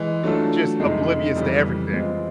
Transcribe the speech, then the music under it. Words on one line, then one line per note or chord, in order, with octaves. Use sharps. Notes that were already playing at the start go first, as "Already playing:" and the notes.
just oblivious to everything.
Already playing: E3 G#3
F#3 A3 D4 F4 A4
F2 C3 D#3 G#3
F2 C#3 E3 G3
E3 G#3 C4 F4